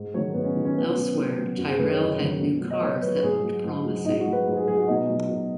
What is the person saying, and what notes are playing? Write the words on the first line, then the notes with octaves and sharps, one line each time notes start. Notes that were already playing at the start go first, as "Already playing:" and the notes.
Elsewhere Tyrrell had new cars that looked promising.
Already playing: G#2
D#3 F#3 C#5
G#2 B3
C#4
D#3 F#3
C#4
B2 B3
C#4
F#3
B2
F#3
F#2 F#4
G#4
D#3 F#3 B4
C#5
F#2 D#5
D#3 F#3
B2
F#3
D#5
B2 C#5
F#3 B4
B4
G#2 G#4
F#3
G#2
F#3
G#2 D#4
F#4
F#3
B4
G#2
G#4
F#3 G#4
F#4
B2 D#4
F#3
B2